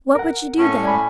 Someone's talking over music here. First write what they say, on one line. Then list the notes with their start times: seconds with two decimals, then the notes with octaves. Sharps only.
What would you do then?
0.15 A#4 F#5
0.58 A2 C#4
0.83 D5 G#5 B5